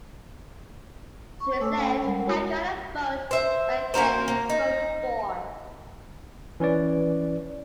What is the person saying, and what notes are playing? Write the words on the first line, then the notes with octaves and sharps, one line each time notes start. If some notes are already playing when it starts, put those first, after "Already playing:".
She said, I cannot vote but I can be voted for.
C#6
A3 A4 C#5 G#5 D6 E6
C#4 F5 G5 B5
G3 G#3 A#4 F#5
E4 F#4 C#5 G#5 B5
C5 E5
A#3 F#4 A#4 C5
A#3
D#4
E3 C#4 B4 D5